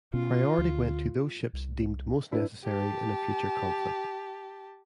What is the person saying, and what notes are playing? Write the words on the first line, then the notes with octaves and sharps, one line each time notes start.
Priority went to those ships deemed most necessary in a future conflict.
B2 B3 C#4 F4
D2
C2
D4 E4 B4
G4 A5